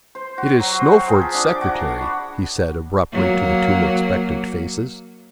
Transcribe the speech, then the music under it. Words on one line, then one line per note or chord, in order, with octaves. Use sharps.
"It is Snowford's secretary," he said abruptly to the two expectant faces.
C5
F#4
F#3
C5
G5
G#4
F3
D4
D6
F#4
A#5
B5
F#3 A#3